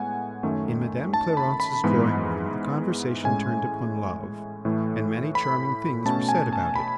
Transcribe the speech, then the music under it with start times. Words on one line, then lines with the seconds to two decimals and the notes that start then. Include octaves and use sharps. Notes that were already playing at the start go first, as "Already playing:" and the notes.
In Madame Clarence's drawing-room the conversation turned upon love, and many charming things were said about it.
Already playing: A2 G#3 B3 F#5 G#5
0.43 F#2 D#3 A3 C#4
1.14 A5
1.37 B5
1.60 B5
1.84 G#2 E3 G#3 B3
3.24 A2 G#3 C#4 G#5
4.65 A2 E3 A3
5.35 B5
6.05 B2 A3 C#4 A5
6.29 G#5
6.53 A5
6.76 B5